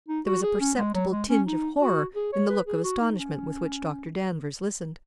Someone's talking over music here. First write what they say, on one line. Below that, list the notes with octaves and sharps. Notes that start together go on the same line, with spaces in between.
There was a perceptible tinge of horror in the look of astonishment with which Dr. Danvers listened.
D#4
F#4
G#4
C#4
G#3
F#3
G#3
C#4
D#4
F#4
G#4
C#5
B4
G#4
F#4
D#4
C#4